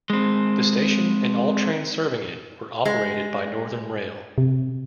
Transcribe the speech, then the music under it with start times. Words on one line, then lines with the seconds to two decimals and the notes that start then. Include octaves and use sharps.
The station, and all trains serving it, were operated by Northern Rail.
0.10 G#3 C4
2.85 G#3
4.38 C3